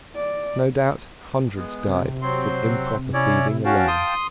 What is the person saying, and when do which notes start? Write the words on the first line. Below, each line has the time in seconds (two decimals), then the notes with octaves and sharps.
No doubt hundreds died from improper feeding alone.
0.15 D5
1.55 G#3 B3
1.88 C3
2.22 F#3 C4 C6
3.14 C#4 E4 C#5 D5
3.65 C#4 F#4 F5 G5 A5
3.88 C6 D#6